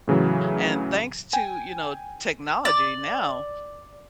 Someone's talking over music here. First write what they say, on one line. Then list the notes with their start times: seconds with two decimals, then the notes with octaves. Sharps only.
And thanks to, you know, technology now,
0.08 A2 C#3 E3 F#3
1.33 G5 G#5
2.65 D5